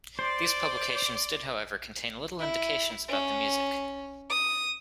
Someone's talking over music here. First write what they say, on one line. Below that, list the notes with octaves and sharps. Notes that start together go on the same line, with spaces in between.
These publications did however contain little indications about the music.
C5 D5 C6 D6
E4
C#4
D#6